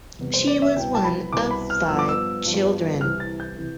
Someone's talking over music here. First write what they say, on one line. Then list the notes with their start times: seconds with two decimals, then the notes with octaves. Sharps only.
She was one of five children.
0.19 E2 C3 G3 B3
0.34 C5
0.47 D5
0.62 E5
0.76 C2 B2 B3 G5
0.95 A5
1.04 B5
1.33 C2 B2 B3 D6
1.51 B5
1.70 F6
1.88 G2 F3 B3 E6
1.99 D6
2.09 E6
2.45 G2 F3 B3
3.01 C2 C3 E3 F6
3.20 A6
3.40 G6
3.58 C3 E3